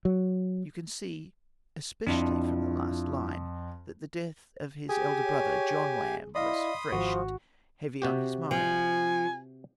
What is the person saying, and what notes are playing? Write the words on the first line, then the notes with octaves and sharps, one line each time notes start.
You can see, especially from the last line, that the death of his elder brother, John Lamb, was fresh and heavy on his mind.
F#3
F2 D4 E4 F4
G4 G#4 G#5
C#5
E4 D5 D#5 F5 B5 C6 D#6
G#1 F3 F#4
C3 F#4 G4
F3 G#5